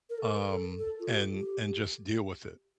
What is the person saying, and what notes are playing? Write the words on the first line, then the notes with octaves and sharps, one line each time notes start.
um, and and just deal with it.
A#4
A4
A4
A4
F4
G4
G4